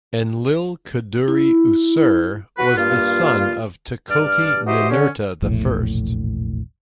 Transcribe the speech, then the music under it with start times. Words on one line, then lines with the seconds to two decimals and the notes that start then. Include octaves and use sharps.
Enlil-kudurri-usur was the son of Tukulti-Ninurta the First.
1.28 E4
2.58 F#4 B4
2.77 G2 A#2 A#3 F4
4.09 G2 D5 F6
4.67 E3 F#4 G4 C5 D#5 E5
4.91 D3 C#4
5.42 E1 A#1 A2